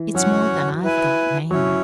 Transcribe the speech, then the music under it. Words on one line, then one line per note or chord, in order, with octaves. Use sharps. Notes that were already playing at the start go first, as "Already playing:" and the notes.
It's more than I've got now.
Already playing: E3
F#3 C#4 F#4 C#5 F#5
E4 B4 G#5
F#3 C#4 E4 C#5